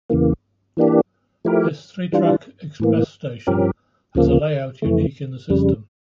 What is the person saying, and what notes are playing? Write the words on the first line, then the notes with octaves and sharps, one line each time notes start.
This three-track express station has a layout unique in the system.
E2 C#3 E3 A#3
E3 A#3 D4 G4
F3 A3 E4 G4 A#4
E3 G3 D4 F4
A2 E3 A#3
G2 F3 C#4 G4 A#4
D2 C#3 F3 A#3
F2 E3 A3
F2 C#3 G3